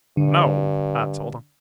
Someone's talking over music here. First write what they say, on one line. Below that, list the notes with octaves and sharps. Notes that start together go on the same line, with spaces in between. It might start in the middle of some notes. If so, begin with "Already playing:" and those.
No,' I told him.
G2 D3